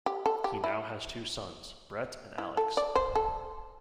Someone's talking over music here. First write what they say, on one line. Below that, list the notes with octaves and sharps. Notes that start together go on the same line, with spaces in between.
He now has two sons, Brett and Alex.
G4
A4
G4
E4
E4
A4
D5
C5
A4